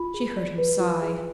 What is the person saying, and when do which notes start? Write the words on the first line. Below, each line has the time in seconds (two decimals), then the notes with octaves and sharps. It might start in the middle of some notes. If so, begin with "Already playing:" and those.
She heard him sigh.
Already playing: F4 B5
0.14 G#4
0.37 D5
0.58 B4
0.79 F4
1.02 G#4